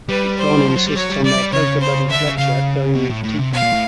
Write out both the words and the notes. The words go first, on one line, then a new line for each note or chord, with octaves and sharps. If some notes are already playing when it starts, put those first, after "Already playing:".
Don insists on their poker buddy Fletcher going with Teach.
G3 B4
C5
F3
F#3
G3
F#3 C#5
G3
G3 D5
G3
C#3 C#5
C5
D3 E5
C#3
C#3 F5
B2
A2
A2
C3
B2 F5
A#2
A2